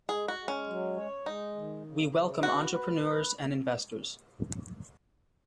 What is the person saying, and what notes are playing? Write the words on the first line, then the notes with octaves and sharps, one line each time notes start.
We welcome entrepreneurs and investors.
G#3 G#4
F#4
G#3
C#4
F#3
C#5
G#3 D#4
D#3
C#3
C#3
F#4 B4
B4